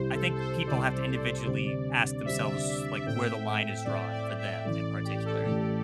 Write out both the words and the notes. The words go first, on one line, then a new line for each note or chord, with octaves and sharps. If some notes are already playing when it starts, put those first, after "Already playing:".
I think people have to individually ask themselves, like, where the line is drawn for them in particular.
Already playing: C2 C3 G3 E4 G4 C5
A4
A4
C5
C2 C3 G3 E4 G4 D5
D2 C3 G3 D4 C5
D2 C3 G3 D4 C5 E5
A2 A3 C4 G5
E5
G5
A2 A3 C4 D5
D5
E5
A1 A2 E3 A3 D5
G4
A4
A1 A2 E3 A3 G4